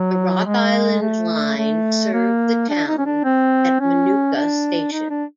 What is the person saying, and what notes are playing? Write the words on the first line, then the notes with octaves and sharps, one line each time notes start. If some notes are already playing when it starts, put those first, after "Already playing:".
The Rock Island Line served the town at Minooka Station.
Already playing: F#3
G#3
A3
A3
A#3
D4
D#4
C#4
D4
C4
C#4
D4
D#4
D4